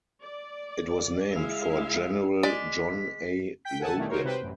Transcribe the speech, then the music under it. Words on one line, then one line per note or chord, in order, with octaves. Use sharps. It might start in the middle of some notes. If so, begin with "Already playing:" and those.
It was named for General John A. Logan.
D5
G#3 E4 G#4 E5 F5
G#3 D5 B6
G5 G6 B6
A4 F#5 G#5 A5
B2 D#3 G3 A3 E4
D#4 F#4 A#4 C5 C#5
C3 B4 C5 G5
A1 F#2